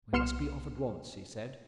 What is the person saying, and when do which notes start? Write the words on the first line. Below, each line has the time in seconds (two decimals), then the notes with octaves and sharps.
"We must be off at once," he said.
0.13 C2 B3 C6 F6 C#7 E7